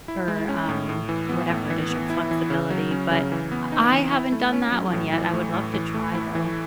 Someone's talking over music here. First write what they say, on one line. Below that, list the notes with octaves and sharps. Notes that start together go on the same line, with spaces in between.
or, um, whatever it is, your flexibility. But, uh, I haven't done that one yet. I would love to try, though.
E4
G#3
C#4
A2
A2
E3
B3
A2
E3
B3
E4
E3
C#3
F#3
C#4
C#3
E3
B3
D#4
E3
E4
A3
C#4
F#3
A2
E3
A3
A2
E3
A3
E4
E3